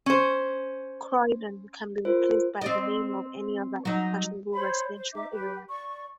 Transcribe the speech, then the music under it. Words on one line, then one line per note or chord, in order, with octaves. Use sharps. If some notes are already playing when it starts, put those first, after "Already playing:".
"Croydon" can be replaced by the name of any other unfashionable residential area.
C#4 C5
F4 A#4 C5
C4 D5 D#5
F#3 D#4
C5 C#5 B5 C6
C5
D#4 E5 D6
G4 B4
D5 C#6